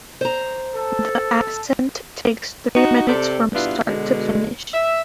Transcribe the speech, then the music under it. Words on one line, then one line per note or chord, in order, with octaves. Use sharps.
The ascent takes three minutes from start to finish.
C5 A#5
A4
D#4 F#4
C3 A4 D5
G2 B2 B3 D4 E4 F4
B2 D3 G#3
E5